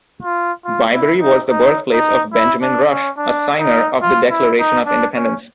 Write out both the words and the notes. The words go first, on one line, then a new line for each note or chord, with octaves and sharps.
Byberry was the birthplace of Benjamin Rush, a signer of the Declaration of Independence.
F4
F4
E4
D#4
D#4
D#4
E4
D4
C#4
D4
D#4
F4
E4
D#4
D4
C#4